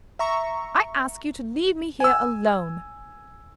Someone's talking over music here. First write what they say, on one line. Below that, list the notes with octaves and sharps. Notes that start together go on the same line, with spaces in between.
I ask you to leave me here alone.
E5 A#5 C#6
G#5 E6